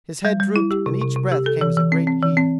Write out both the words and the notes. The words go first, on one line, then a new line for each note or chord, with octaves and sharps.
His head drooped and each breath came as a great heave.
G3
G3
E4
G4
C3
C3
C3
G4
A4
E3
E3
C4
C4
E3
C4